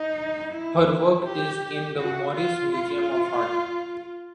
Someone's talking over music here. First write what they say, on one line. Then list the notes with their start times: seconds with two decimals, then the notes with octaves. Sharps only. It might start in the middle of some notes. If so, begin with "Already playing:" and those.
Her work is in the Morris Museum of Art.
Already playing: D#4
0.52 E4
1.25 G4
1.98 F#4
2.35 F4
2.71 F4